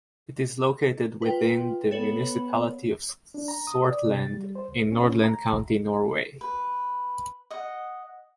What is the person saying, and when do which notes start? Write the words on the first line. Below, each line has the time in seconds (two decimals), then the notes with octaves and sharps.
It is located within the municipality of Sortland in Nordland county, Norway.
1.22 F4 B4 G5
1.91 B3 A4 C#5 F#7
3.34 D4
3.48 A#5
3.67 D#6
3.88 D5
4.06 C3
4.17 A6
4.31 G3
4.55 C5
4.68 C#2
4.92 C#4
5.12 A3
5.24 A#5
6.41 B4
7.50 D#5 F#5